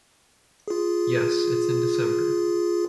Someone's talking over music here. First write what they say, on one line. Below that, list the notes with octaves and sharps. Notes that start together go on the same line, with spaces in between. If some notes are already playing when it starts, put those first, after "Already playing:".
Yes, it's in December.
F4 G#4